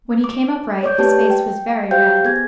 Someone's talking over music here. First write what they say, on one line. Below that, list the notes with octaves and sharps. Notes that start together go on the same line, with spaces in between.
When he came upright his face was very red.
D6
C#5 D5 D6 G6
A3 G4 B4 D5 A5
G5
G4 C5 F5 G5 G6
B3 G#4 G#6